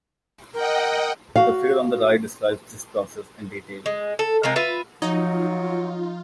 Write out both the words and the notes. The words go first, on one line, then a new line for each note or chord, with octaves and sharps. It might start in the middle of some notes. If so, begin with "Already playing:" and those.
The figure on the right describes this process in detail.
A#4 D#5 F#5 G5
F#4 F5
G#3
A4
C3 G#3 F4 A#4
F4 B4 E5
F3 F#3 D#4 F4